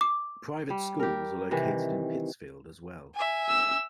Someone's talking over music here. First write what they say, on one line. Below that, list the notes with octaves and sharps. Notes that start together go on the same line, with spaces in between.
Private schools are located in Pittsfield as well.
D6
G3
G4 A#4
C3 D#3 E3
E5 G#5
E6